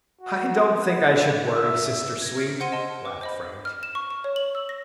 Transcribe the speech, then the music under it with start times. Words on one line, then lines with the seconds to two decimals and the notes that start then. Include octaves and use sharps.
"I don't think I should worry, sister sweet," laughed Frank.
0.21 F#4
0.73 B3
1.07 E4
1.50 E5
2.22 G#6 A#6
2.37 F6 G#6 A#6 D7
2.60 C5 F#5 C6 D#7
2.72 D#5 A5 C6
3.05 B4 D6
3.21 C5 D#5 B5
3.65 F6
3.83 E7
3.95 C#6
4.10 C#6
4.24 C#5
4.36 F#7
4.55 E6
4.69 A#6